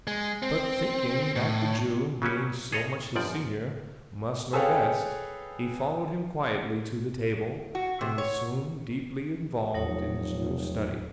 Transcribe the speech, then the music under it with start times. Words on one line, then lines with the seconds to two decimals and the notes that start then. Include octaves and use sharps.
But, thinking that the Jew, being so much his senior, must know best, he followed him quietly to the table, and was soon deeply involved in his new study.
0.07 G#3
0.43 C4
1.36 A2
2.22 C#3 F#3 G3 C#4
2.72 G#4 A4 C#5 D#5 F5
3.16 G1 F#2 F3 D5
4.53 G#4 A4 B4 C#5 F5 G5
7.75 F#4
8.01 C3
8.18 C#5
9.74 F1 E2 F#3 D#4 C#5